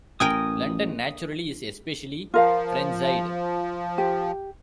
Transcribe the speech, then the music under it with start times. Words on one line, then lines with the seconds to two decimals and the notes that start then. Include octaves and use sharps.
London, naturally, is especially frenzied.
0.20 A1 A#4 G5 G#5 D#6
2.34 F3 F4 A#4 F5
3.98 G4